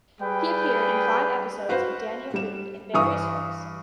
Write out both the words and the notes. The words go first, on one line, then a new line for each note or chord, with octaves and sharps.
He appeared in five episodes of "Daniel Boone" in various roles.
G3 G#4 B4 G5
F#4 B4 C5 F5 F#5
G3 E7
G2 E3 C#6 D#6